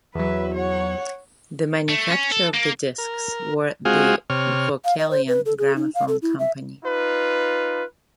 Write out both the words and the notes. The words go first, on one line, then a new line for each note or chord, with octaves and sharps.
The manufacturer of the discs were the Vocalion Gramophone Company.
E2 F#3 B4 E5
C#5 F#5
A3
C#4
A4
A#3
A#4
G#3 C4 F4 F#4 G#4 F5
C3 C#5 F6
F5
D#5
C5
B4
A4
G#4
D#4
F5
A4
E4
E5
D#4 F4 B4